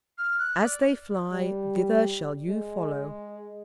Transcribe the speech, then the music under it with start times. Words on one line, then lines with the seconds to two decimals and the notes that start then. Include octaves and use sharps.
"As they fly, thither shall you follow."
0.18 F6
0.38 F#6
0.63 D5
1.32 G3
2.48 G#3